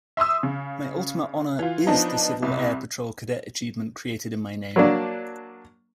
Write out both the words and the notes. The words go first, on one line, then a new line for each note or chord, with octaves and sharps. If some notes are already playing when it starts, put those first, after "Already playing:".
My ultimate honor 'is' the Civil Air Patrol cadet achievement created in my name.
E5 C6 D#6 E6
C#3
E3 F4
F3 B3 D4 D#4
C2
F#3 A#3 D4